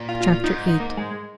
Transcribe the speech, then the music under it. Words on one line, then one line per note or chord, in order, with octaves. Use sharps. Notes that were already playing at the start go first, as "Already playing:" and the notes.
Chapter VIII.
Already playing: A#2
F4
F4
F4
G#2 D#4
D#4
A#3
G#3